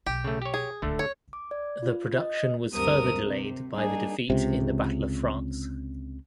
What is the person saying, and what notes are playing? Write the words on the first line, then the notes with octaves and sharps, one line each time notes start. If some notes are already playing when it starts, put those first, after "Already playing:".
The production was further delayed by the defeat in the Battle of France.
B1 G4
C#3 A3
G4 C#5
G#4
D1 C#2 D3 A3
D4 C#5
D6
D5
F4
D#5
D#5
D2 G2 C3 A#4 D#6
C3
G3 A#3 D4 D#4 G#4
C#2 C3